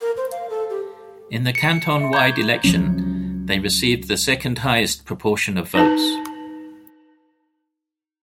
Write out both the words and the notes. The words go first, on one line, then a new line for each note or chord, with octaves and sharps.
In the canton-wide election they received the second highest proportion of votes.
A#4
C5
F5
A4
G4
C#7
E5 C6
A#5 C#6 D6 G6 G#6
C#2 F3 F#3 C#4
D#4 B4 A5